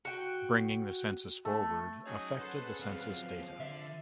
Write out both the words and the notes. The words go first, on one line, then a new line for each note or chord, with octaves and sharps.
Bringing the census forward affected the census data.
F#4 G5
A3
F#3 C#4 D#4 G#4 C#5
G#4 A4 B4 C5 F#5
F#3 C4 F5
F3
D3 E5